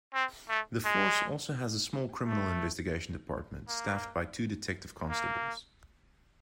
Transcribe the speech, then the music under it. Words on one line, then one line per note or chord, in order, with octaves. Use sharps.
The force also has a small criminal investigation department staffed by two detective constables.
C4
A3
G#3
A3
A#3
A#3